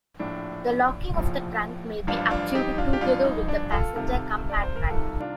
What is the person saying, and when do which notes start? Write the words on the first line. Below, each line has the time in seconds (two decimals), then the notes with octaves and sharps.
The locking of the trunk may be achieved together with the passenger compartment.
0.19 A#1 A2 F3 D4
1.14 A#1 A2 F3
2.07 A1 G2 F3 D4 F4
2.31 D4 F4
2.55 D#4 G4
2.78 D4 F4
2.93 G4
3.01 A1 G2 F3 D4 F4
3.25 D#4
3.48 D4
3.71 F4 A4
3.95 C2 C3 D#3 F4 A4
4.49 D5
4.64 C5
4.76 A#4
4.90 C2 C3 D#3 F4 A4
5.20 D4 F4